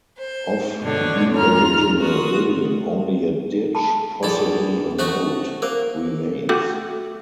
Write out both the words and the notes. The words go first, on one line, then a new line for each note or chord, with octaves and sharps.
Of the original building only a ditch, possibly a moat, remains.
C5
G2 B2 D3 D4 C#5
E2 G2 F4 A#5 F6
F4 F#4 D#6
A5 B5
A#1 E2 A4 B5
A3 F#4 C5 D#5
A#3 A#4 C5
A3 F#4 G4